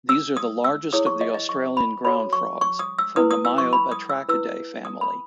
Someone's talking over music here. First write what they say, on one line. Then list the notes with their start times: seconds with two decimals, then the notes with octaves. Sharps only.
They are the largest of the Australian ground frogs, from the Myobatrachidae family.
0.09 E6
0.37 D#6
0.64 E6
0.93 E4 G#4 C#5 D#6
1.07 C#6
1.21 D#5
1.34 D#5
1.49 C#6
1.77 B5
2.05 F#4 A4 C#5 B5
2.33 C#6
2.61 C#6
2.79 D#6
2.99 E6
3.16 E4 B4 D#6
3.31 D#6
3.45 E6
3.58 C#6
3.73 B5
3.92 D#6
4.09 E6
4.29 E4 B4 E6
4.85 D#6
5.01 B5